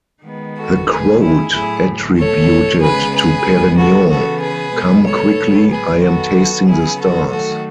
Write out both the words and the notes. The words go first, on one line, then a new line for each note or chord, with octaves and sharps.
The quote attributed to Perignon-Come quickly, I am tasting the stars!
D#3 G#3 B3
F#4 A4
D#3 A3 G#4 B4
E4 G#4
A2 F#3 A3 E4 G#4
B2 A3 A4 C#5
C#3 G#3 B3 G#4 B4
G#4 B4
C#3 G#3 B3
F#4 A4
C#3 E3 B3 F#4 A4
G#4 B4
B2 G#3 B3
A4 C#5
A2 F#3 B3
G#4 B4
D#3 F#3 B3 F#4 A4
C#3 F#3 B3 E4 G#4
F#4 A4
D#3 F#3 A3 F#4 A4